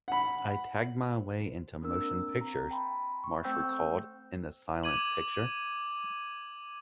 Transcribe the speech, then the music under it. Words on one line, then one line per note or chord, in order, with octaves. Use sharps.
"I tagged my way into motion pictures," Marsh recalled in "The Silent Picture".
F#5 B5
C5
A#3 C4 D4 A#4 E6
C4 A#5
G5 A5 B5 C6
C#6
A3 C4 C5 G5 E6 G6
D6 G#6 D#7 F#7